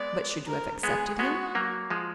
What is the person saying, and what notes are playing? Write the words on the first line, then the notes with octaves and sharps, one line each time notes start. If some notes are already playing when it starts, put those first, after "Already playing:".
"But should you have accepted him?"
Already playing: G#3 B3 D5
A#4
G#3 B3 G#4
G#3 B3 F#4
F#3 A#3
F3 G#3